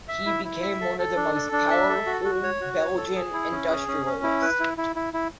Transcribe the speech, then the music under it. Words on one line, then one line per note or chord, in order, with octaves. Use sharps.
He became one of the most powerful Belgian industrialists.
E5
E4
E4
E5
A4
A4
D4
A4
D4
E5
A4
F#4
F#4
C#5
F#4
C#5
A4
G#4
E4
C#4
G#4
C#4
C#4
E4
B4
E4
E4
E4
E4